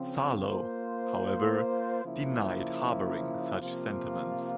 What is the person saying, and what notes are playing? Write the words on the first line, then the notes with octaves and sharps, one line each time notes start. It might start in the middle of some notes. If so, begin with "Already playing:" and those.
Sarlo, however, denied harboring such sentiments.
Already playing: C#3 F3 C4
A#3 F4 C5
C#3 F3 A#3 E4
C3 F3 A#3 F4